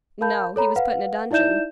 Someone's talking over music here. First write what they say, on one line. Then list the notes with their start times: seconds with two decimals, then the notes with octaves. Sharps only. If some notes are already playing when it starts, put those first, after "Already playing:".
"No; he was put in a dungeon."
0.21 A#4 F5 A5 B5 G6
0.56 A4 C#5 A#5 B5
0.76 B4 F5 F#5
1.31 D#4 E4 D5 E5 G6 E7